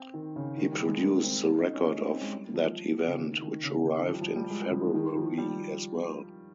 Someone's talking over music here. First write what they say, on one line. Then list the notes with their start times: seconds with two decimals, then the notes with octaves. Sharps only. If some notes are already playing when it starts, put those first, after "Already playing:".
He produced the record of that event, which arrived in February as well.
Already playing: C4
0.14 D#3
0.36 C#3
0.57 D#3
0.72 G3
0.86 G#3
1.01 A#3
1.24 C4
1.60 D#4
1.73 C#4
1.88 D#4
1.99 C#4
2.10 C4
2.21 G#3
2.32 G3
2.54 F3
3.07 C#3
3.19 D#3
3.42 D#3
3.63 C#3
3.85 D#3
4.07 F3
4.14 G3
4.21 F3
4.36 G3
4.50 G#3
4.61 G3
4.71 F3
4.83 D#3
4.94 D#3
5.16 F3
5.38 G3